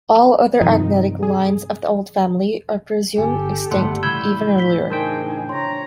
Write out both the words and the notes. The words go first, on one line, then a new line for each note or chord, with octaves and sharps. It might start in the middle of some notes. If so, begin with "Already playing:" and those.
All other agnatic lines of the old family are presumed extinct even earlier.
G2 C3 D#3 F3 D#4
G#4
G1 G4 A4 G#5
G1 G#2 G3 A3 F#5 A5 C6
A2 C#3 E3 G3 B5 E6 G6 G#6
B6 G7
D4 D#4 G#4 A#4 C5 G5
C#5 A#5 C6